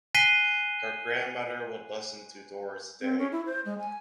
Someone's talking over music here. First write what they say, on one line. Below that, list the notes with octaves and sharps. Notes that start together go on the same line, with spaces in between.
Her grandmother would listen to Doris Day.
G#5 F#6 B6 C7 D#7 G7
C4
C#4
E4
C5
G#3
G#5